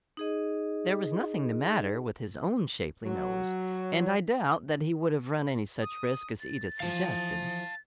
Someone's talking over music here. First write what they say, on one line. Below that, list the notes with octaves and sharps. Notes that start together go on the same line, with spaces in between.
There was nothing the matter with his own shapely nose, and I doubt that he would have run any such risk as Edith suggested.
D#4 G#4 D#5
F#3
D#6
A6
E3 F3 F5 A5